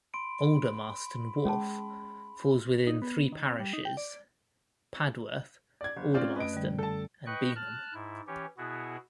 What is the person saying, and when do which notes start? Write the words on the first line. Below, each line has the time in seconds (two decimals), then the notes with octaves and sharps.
Aldermaston Wharf falls within three parishes-Padworth, Aldermaston and Beenham.
0.14 B5 C6 D7
1.45 G#3 C#4 G#4 A5
2.87 D#4
3.02 B3
3.32 D#3
3.47 C4
3.60 G3
3.73 D#4
3.85 G5
3.97 D5
5.81 D5 G#6
5.97 F#1
6.14 C4 C#4 F4 D5
6.36 F#2 A3 B4 D#5 D7
6.53 D3 G3
6.79 A4 A5
7.26 B4 D#5 G5 C#6 F#6
7.55 A5 F6 F#6
7.94 G#2 E4
8.27 E3 C#4 G4 C#5
8.58 B2 B3 E4 F#4 G#4